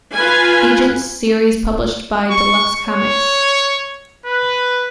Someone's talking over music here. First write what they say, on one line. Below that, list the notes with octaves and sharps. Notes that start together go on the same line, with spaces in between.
Agents series published by Deluxe Comics.
F4 B4 G#5
C#6
C#5
B4